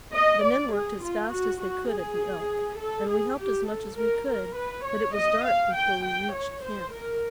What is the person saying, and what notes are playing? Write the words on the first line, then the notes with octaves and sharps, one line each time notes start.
The men worked as fast as they could at the elk, and we helped as much as we could, but it was dark before we reached camp.
D#5
D5
G#4
F4
F#4
F#4
G#4
A4
G#4
G4
A4
A#4
A#4
B4
C#5
D#5
F5
G5
G5
C#5
C5
A#4